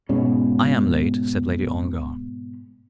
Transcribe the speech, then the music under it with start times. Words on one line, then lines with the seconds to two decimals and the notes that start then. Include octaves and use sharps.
"I am late," said Lady Ongar.
0.09 G#2 B2 G#3 C#4